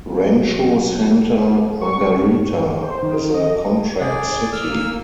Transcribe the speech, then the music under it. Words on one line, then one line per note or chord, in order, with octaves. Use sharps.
Rancho Santa Margarita is a contract city.
F#3
C#6
G1
C5
D#3
D#5
C3 G#4 D5
G#1
E1 E6 F6
A#3